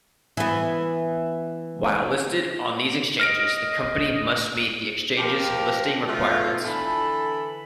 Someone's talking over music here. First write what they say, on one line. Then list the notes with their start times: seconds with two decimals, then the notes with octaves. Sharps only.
While listed on these exchanges, the company must meet the exchange's listing requirements.
0.37 E3 B3
3.20 D#5 F6 A#6 D7
5.17 F3 G4 A#4
6.07 B2 F3 A3 F4
6.65 D3 E3 A4 A5 B5